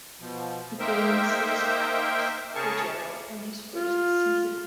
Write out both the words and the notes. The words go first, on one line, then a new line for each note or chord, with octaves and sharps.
He gained six caps for Jaro on his first season.
B2 F3
A#3 D#4 A#4 C5 E5 G5
C#3 G#4 A#4 A5 C#6
F4